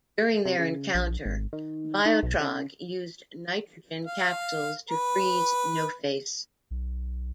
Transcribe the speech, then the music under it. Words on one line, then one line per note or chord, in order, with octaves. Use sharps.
During their encounter, Biotrog used nitrogen capsules to freeze No-Face.
C3
C#3
A#1
G#1
D#3
D#4
B1
C#3
F5
B4
B1